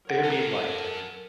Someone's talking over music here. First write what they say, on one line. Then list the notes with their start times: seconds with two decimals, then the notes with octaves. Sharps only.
There Be Light.
0.05 A#4 C#5 F#5
0.24 F#3 C#4 A4 A#4 G5 A#5